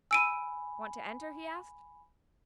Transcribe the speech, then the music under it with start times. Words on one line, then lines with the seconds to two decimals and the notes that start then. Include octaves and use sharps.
"Want to enter?" he asked.
0.11 G#5 B5 E6 D7 D#7